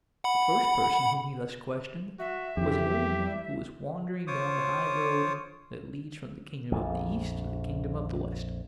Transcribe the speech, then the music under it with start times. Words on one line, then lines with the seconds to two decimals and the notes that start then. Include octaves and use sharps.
The first person whom he thus questioned was an old man who was wandering down the high road that leads from the Kingdom of the East to the Kingdom of the West.
0.24 F#5 B5
2.19 F#4 E5
2.57 F2 E3 G4
4.27 F4 C5 C#5 D6 D#6
6.72 A#1 F2